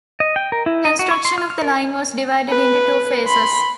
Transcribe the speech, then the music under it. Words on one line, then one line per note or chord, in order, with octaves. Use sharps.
Construction of the line was divided into two phases.
D#5
G5
A#4
E4
D#5
F#4
C#6
C6
F6
F6
A#4
B4
B5 C6